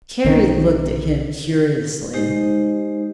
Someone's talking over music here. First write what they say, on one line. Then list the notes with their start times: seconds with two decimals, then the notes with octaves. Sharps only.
Carrie looked at him curiously.
0.24 B1 D#3 C#4
2.13 G#3 D#4 G4 C5 D#5